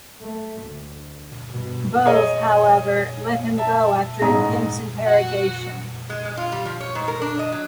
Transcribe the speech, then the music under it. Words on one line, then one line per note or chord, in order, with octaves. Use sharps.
Both, however, let him go after intense interrogation.
A3
D2
G2 B2
G#4 C#5 D#5
E5 A5
A1 G#2 G#4 A#5
F#4 F#5
G#3
G#3
F4
G3
F3
C#5
G#2
A#4
D4
D#5
F#3